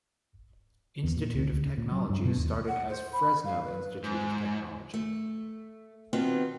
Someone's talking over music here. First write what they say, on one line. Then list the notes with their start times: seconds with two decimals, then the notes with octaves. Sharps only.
Institute of Technology started as Fresno Institute of Technology.
1.04 E2
1.17 A#2
1.34 D2
1.53 D2
1.65 C#3
1.78 A#2
1.92 F#3
2.09 G2
2.25 B2
2.37 D#2
2.68 F#5
2.89 C5
3.13 B5
3.45 F5
3.64 B4
4.03 G#2
4.94 A3
6.13 B2 D#3 B3 C4 D#4 F4